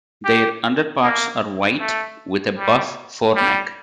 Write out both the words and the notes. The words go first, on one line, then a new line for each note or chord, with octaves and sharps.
Their underparts are white, with a buff foreneck.
G4
A#3
A3
G3
G3